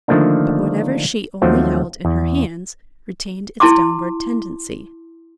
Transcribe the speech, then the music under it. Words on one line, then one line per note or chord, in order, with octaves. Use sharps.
But whatever she only held in her hands retained its downward tendency.
D3 D#3 F3 A3 A#3 D4
D#2 F3 F#3 A3 C4
E2
E4 A5 C6 D6